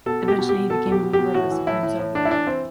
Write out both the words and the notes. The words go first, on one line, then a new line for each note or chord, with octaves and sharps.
Eventually he became a member of the Supreme Soviet.
B2 A4
B2
G4
B2
G4
B2
B2 A4
B2
G4
B2
G4
B2
A2 F#4
E3
A2 E4
A2
A2
A2 D4
E4
E3 D4
E3 C4